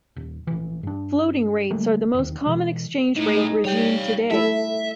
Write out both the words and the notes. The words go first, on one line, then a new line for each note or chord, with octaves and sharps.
Floating rates are the most common exchange rate regime today.
D#1
A#1 E3
G2 D4
D2 G3 A3 A#3
E1 D#2
G2 B2 E3
A2 D#4 E4
D#4 G#4 D#5
G3 C#5 F5 G5
A3 E4 A4 E5